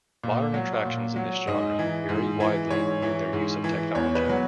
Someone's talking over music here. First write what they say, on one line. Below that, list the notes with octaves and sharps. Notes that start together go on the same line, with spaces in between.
Modern attractions in this genre vary widely in their use of technology.
A#2
F#3
A#2
F#3
G#2 D#5
E3
G#2
E3
G#2 C#5
E3
G#2
E3
E2 C#5
B4
B2 F#3